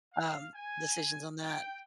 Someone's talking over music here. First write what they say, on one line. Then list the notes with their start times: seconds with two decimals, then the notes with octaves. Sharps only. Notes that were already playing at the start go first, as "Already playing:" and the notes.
um, decisions on that,
0.13 F5
0.54 G#5
1.43 G5